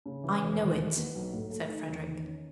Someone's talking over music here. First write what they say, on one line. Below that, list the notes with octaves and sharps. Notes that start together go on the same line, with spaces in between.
"I know it," said Frederick.
C#3
E3
E1
D#2
E3
B3
B1
A2
A3
D#4
E2
D#3
C#4